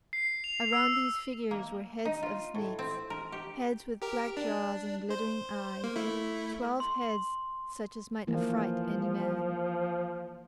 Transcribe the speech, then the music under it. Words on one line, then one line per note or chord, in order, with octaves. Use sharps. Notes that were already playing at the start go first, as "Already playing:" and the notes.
Around these figures were heads of snakes, heads with black jaws and glittering eyes, twelve heads such as might affright any man.
C7
F7
E6
A#3
D#4
F4
A2
C4
A#4
G4
G4 A#4
D4
C5
A#3
A3 E4
C6
E3 F3 A#3